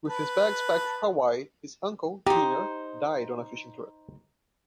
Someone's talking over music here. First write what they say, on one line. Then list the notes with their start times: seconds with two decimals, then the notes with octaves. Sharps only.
With his bags packed for Hawaii, his uncle, Junior, died on a fishing trip.
0.08 B4 A5
2.26 D#4 G4 C5